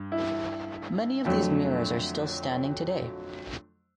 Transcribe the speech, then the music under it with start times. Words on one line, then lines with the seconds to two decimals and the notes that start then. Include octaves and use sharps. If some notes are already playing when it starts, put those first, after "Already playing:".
Many of these mirrors are still standing today.
Already playing: G2
0.12 E4
1.25 F2 D3 F#3 A3